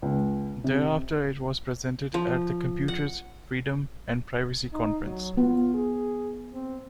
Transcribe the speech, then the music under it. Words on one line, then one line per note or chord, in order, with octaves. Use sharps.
Thereafter it was presented at the Computers, Freedom, and Privacy conference.
C#2
C3
F3
F#5
D#4
F#3
B3 F4
G#4
C4